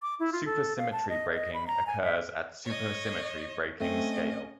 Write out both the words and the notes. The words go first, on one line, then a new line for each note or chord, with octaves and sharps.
Supersymmetry breaking occurs at supersymmetry breaking scale.
D6
E4
F4
A4
F5
A5
D#5
D#5
B5
A#5
G#5
E5
C#5 D#5
A3 C4 C#4 D#5